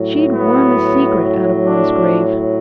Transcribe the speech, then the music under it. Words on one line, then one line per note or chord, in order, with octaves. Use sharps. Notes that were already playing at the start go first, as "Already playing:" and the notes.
She'd worm a secret out of one's grave.'
Already playing: A2 F#3
B3
D4